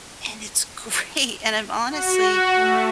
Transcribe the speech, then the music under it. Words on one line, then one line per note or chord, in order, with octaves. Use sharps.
and it's great, and I'm honestly
F#4
A3